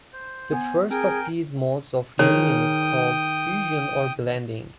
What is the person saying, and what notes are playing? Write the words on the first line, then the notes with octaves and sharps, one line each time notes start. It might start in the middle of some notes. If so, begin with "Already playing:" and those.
The first of these modes of union is called fusion or blending.
C5
B3 G#5
C4 G#4 A#4 G5 G#5
D#3 G#4 C#5 G5 D#6